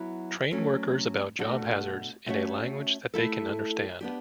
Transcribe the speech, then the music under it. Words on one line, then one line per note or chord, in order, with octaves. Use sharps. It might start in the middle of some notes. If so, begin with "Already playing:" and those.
Train workers about job hazards in a language that they can understand.
Already playing: F#3 B3 E4
F#3 A3 C#4
B2 A3 D4 F#4
A3 C#4 F#4 C#5 E5
A3 E4 A4
B3 D4 G4